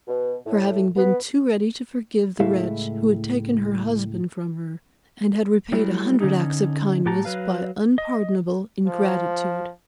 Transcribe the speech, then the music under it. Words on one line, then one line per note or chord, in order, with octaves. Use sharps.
For having been too ready to forgive the wretch who had taken her husband from her, and had repaid a hundred acts of kindness by unpardonable ingratitude.
B2
A2
B3
C#2 A2 G#3 E4 A4 F5
F#3 G3 A3 E4
D3 C#4 D#4
A2 F#4 G4 A5 A#5
F#3 B4 F5
D#5
F3